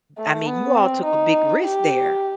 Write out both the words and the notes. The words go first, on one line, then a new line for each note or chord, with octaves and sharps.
I mean, you all took a big risk there.
A3
B3
C4
D#4
G4